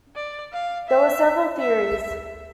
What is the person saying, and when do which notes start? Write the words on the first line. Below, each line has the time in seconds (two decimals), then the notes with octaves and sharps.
There were several theories.
0.15 D5
0.52 F5
0.88 E5
1.59 E5